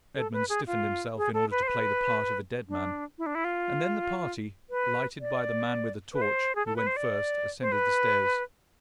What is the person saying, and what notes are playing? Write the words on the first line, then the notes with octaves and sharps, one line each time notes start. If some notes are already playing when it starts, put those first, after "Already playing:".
Edmond stiffened himself in order to play the part of a dead man, and then the party, lighted by the man with the torch, who went first, ascended the stairs.
A4
B4
G#4
F4
G#4
A4
B4
C5
B4
D4
E4
D4
E4
F4
B4
D5
B4
C5
G#4
A4
B4
C5
D5
C5
B4